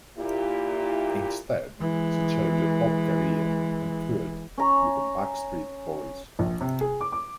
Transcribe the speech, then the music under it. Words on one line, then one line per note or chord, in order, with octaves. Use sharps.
Instead, she chose a pop career and toured with the Backstreet Boys.
A#2 E4 G4
E3 G#3
C#4 A#5
A#1
C3
G#4
D6
D6